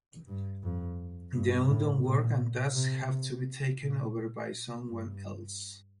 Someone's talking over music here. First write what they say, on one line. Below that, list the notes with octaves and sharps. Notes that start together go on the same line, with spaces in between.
The undone work and tasks have to be taken over by someone else.
G2
F2
G2
A2
A#2
C3
A#2
G2